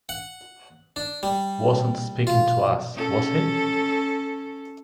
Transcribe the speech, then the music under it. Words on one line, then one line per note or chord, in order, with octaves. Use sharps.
Wasn't speaking to us, was he?
F#5
D4
G3
F4
C#4 A4